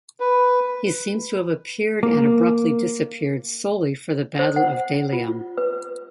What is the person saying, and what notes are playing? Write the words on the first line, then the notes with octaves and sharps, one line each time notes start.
He seems to have appeared and abruptly disappeared solely for the Battle of Delium.
B4
A#3
C5
F#5
F4
B4